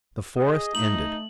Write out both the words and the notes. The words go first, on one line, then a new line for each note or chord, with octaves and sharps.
The forest ended.
G#4 D#5
A3 D#4 F#7